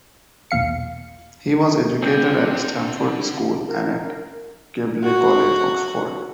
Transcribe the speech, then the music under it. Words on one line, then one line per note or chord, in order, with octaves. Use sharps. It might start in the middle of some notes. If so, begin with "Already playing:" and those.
He was educated at Stamford School and at Keble College, Oxford.
B1 E2 F5 C#7
D3 C4 G6
A#4
F#4